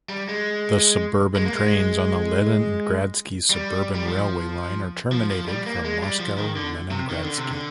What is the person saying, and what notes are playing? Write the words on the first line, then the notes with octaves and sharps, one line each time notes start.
The suburban trains on the Leningradsky suburban railway line are terminated from Moscow Leningradsky.
G3
G#3
G#3
A#3
G#3
G3
G3
F3
F3
F3
G3
A#3
G#3
G3
F3
D#3
D3
C3
D#3
D3
C3
D3